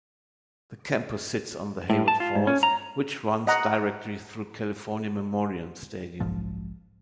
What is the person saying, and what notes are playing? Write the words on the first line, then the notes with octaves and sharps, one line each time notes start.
The campus sits on the Hayward Fault, which runs directly through California Memorial Stadium.
A2
A5
F4
G#2
C#4
A#5
D#5 F#5 A#5
F#1 B1 G#2 F3